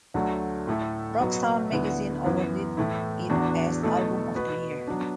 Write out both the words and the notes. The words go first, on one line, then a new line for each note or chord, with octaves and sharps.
Rock Sound Magazine awarded it as "Album of the Year".
D2 D3 F#3 A3
A2 A3 E4 A4
B2 F#3 B3 F#4 B4
D2 D3 B3 E4 B4
F#2 E3 B3
A2 E3 A3 E4
E2 E3 B3 D4 F#4
B2 A3 E4 A4
B2 B3 F#4 B4
F#3 B3 D4